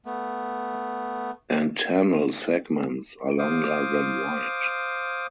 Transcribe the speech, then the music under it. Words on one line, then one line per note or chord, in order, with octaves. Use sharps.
Antennal segments are longer than wide.
A3 B3
C5 F5 D6 D#6